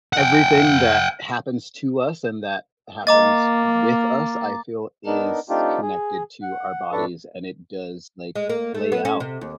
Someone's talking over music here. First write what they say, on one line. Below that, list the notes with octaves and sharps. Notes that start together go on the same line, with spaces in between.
everything that happens to us and that happens with us, I feel is connected to our bodies and it does, like, play out
F#5 G5
A#3 D#5 A#5 D6 A6
B3 D4 D#4 A#4
A3 C4 D4 D#4 F4 G4
G#4
F#5
A2 D4 A4 B4 C#6
G#3
A#3
A3
B3
C#4
C3
D#2